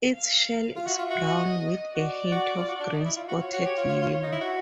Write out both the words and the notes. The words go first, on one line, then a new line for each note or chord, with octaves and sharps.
Its shell is brown with a hint of green, spotted yellow.
F5
F4
F#4 E5
F4
F#4
D#5
F#4 D5
F#4
F4
F#4
D4
D#4
E4
F4
F#4
F4 C#5
F#4
G4
F4
F4
F4
D#4
E4
F#4